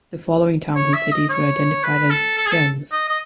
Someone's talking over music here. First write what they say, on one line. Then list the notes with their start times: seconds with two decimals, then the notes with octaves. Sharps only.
The following towns and cities were identified as "gems".
0.76 C#5
0.93 E5
1.12 D#5
1.29 C#5
1.83 B4
2.10 A4
2.37 A4
2.45 G#4
2.51 A4
2.92 D#5
3.08 D#5